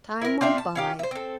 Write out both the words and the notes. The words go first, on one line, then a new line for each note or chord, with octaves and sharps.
Time went by.
E4 A#4
C4 D4 F4 E5
A5
C#4 F4 G4
C5 E5
C4 A4